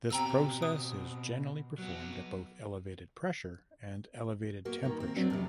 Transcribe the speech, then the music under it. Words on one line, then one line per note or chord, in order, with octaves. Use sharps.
This process is generally performed at both elevated pressure and elevated temperature.
B2 C4 G5 A#5 E6
D#6
F#3 B3
A#3 B3 F#4
D#3 A#3
A#3 C4
F#3 C4 D4
F2 C3